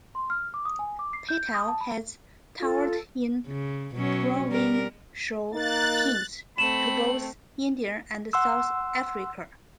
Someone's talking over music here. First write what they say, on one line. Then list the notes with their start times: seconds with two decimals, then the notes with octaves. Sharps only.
Patel has toured in provincial teams to both India and South Africa.
0.15 C6
0.30 F6
0.54 D6
0.65 D#6
0.79 G#5
0.99 D6
1.13 C7
1.29 G6
1.54 D#6
1.68 A5
1.81 B5
2.60 F4 A4
3.47 C#3
3.95 B2 F#3 C#4
4.48 G3 A#4
5.52 A#3 D#4 F#6 A6
6.58 A3 C4 B5 E7 F#7
8.33 F#5 C6 E6